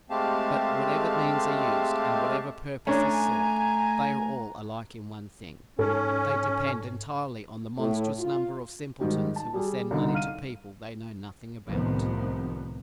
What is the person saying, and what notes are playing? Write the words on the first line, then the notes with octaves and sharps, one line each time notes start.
But whatever means are used, and whatever purpose is sought, they are all alike in one thing--they depend entirely on the monstrous number of simpletons who will send money to people they know nothing about.
G#3 A3 C4 G4 F5 A5
A3 C#4 D4 G#5 A#5
G#2 C#4 A4
A2
F4
G#2 D#3 G3
A5
G3 G#4
C2 D3 D#4
F5 F6 D#7
C2 A2 C3 D#3 F3 B3